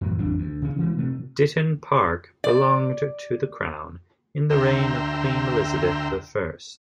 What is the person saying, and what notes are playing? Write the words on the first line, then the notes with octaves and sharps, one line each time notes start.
Ditton Park belonged to the crown in the reign of Queen Elizabeth the First.
F#2 A2 E3
A1 F2 G3 D4
D2
C#3 C#4
E3 G#3
C3 A3
D5
D2 E5 G5 A#5 C6